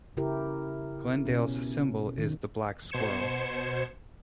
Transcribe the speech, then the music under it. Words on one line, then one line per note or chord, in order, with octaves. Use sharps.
Glendale's symbol is the black squirrel.
C#3 E4 G4 A#4
B2 C#4
D#3
B2 C5 G#6 C#7 E7